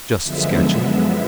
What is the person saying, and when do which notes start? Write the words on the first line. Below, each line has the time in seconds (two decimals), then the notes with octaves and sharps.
"Just sketching."
0.22 F#2 D3 F3 G#3 B3 E5